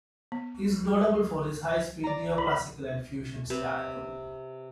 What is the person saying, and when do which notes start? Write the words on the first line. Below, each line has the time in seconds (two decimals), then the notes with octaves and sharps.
He is notable for his high-speed neoclassical and fusion style.
0.32 B3
2.04 D5 A#5
2.38 B5
3.50 C3 B4